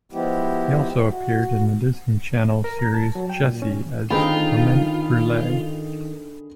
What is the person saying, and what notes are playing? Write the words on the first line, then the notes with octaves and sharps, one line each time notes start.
He also appeared in the Disney Channel's series "Jessie" as "Clement Brulee".
F3 G#3 B3 E4 G4
F#4
A#4
A#5
A5
F#3
G5
A#2
C#4
D3 D#3 C4 D#4 F4 G#4 B5